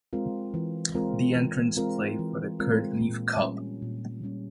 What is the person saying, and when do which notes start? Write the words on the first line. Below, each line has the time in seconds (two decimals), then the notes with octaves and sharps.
The entrants play for the Kurt Lief Cup.
0.13 G#3 C4 F4 A#4
0.54 E3
0.95 G#3 C4 F4 A#4
1.36 E3
1.77 G#3 C4 F4 A#4
2.19 E3
2.60 G#3 C4 F4 A#4
3.00 A#2
3.41 G3 C#4
3.82 A#2
4.23 G3 C#4